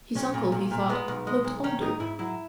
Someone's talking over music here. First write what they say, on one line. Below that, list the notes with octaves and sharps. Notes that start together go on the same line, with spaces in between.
His uncle, he thought, looked older.
B1 C#4
A#2
B1
A#2
G#3 B3
B1
G#3
B1
D#3 C#4
G#2 D#4
G#2 E4
F#3 E4